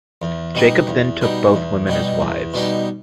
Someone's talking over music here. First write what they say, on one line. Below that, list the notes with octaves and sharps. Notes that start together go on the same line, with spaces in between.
Jacob then took both women as wives.
E2
B2 G3 D#4
E2
B2 G3 D#4
E2
B2 G3 D#4
E2
B2 G3 D#4